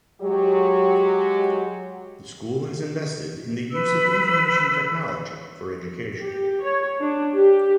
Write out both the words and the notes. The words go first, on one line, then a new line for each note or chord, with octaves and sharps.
The school has invested in the use of Information Technology for education.
F#3 G#3 G4
B4 E6
G4
C#5
D4
G4